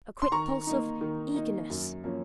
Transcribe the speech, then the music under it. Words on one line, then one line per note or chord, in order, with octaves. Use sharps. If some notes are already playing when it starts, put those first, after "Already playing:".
A quick pulse of--eagerness?
C6
D#3 A#5 C#6
A#3 D#4
D#3
A#3 D#4
F#2
F3 A#3 C#4